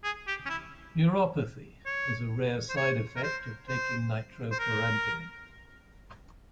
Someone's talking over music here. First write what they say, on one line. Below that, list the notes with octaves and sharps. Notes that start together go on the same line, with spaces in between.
Neuropathy is a rare side effect of taking nitrofurantoin.
G#4
G4
C#4
E4
C#5
C5
C#5
A#4
C5
C5
C5
A#4